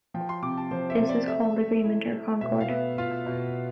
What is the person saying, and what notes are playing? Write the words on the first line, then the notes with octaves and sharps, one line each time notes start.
This is called agreement or concord.
F3 G5
C6
C3 D6
A5
F3 C5
E5
C3
D5
A3 E5
A3
E4
A3
B2 E5
F5
B3 E5
F4 F5
B2